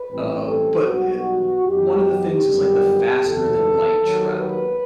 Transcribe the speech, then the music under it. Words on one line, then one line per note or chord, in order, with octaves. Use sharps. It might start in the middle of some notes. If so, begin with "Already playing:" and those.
Uh, but, eh, o one of the things is, like, the faster-than-light travel.
Already playing: B4
A1 A2 G3 C4
A4
B1 B2 G3 B3 F#4
F#2 F#3 B3 D#4 G4
G1 F#2 D#3 G3 B3
F#1 E2 B2 A4
D#2 D#3 F#3
B4